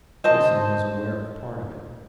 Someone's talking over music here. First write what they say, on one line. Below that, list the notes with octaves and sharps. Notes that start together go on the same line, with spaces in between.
Jason was aware of part of it.
C5 D#5 A5